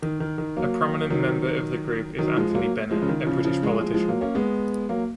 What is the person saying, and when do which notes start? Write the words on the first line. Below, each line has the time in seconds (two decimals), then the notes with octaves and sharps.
A prominent member of the group is Anthony Bennett, a British politician.
0.02 D#3
0.20 D#3
0.38 D#3
0.56 F#3 A#3
1.10 D#3 F#3
2.19 D#3 F#3
2.37 F3 G#3
2.50 G#3
2.55 F#3 A#3
2.91 F3 G#3
3.02 C#3
3.09 D#3
3.27 C#3 F3
3.45 C#3 F3
3.63 F3 G#3
3.81 F3 G#3
3.94 F3 G#3
4.08 F#3 A#3
4.21 A#3 C#4
4.35 G#3 B3
4.89 F#3 A#3